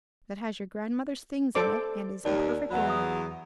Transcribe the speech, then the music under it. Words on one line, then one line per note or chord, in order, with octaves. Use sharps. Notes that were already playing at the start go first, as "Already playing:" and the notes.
That has your grandmother's things in it, and is in perfect order.
A4 C5 D5 D6
D#2 D5 A5
E2 F#3 F#5 B5
E5 D#6